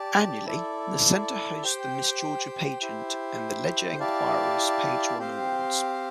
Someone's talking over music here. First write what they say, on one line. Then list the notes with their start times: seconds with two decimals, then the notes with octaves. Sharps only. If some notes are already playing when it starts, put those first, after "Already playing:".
Annually, the center hosts the Miss Georgia Pageant and the Ledger-Enquirer's Page One Awards.
Already playing: G4 D5 A5
0.45 E4 A4 D5
1.63 G4 C5 G5
2.81 E4 G4 C5
3.99 E4 G4 D5 F5 A5
5.18 C4 G4 C5 F5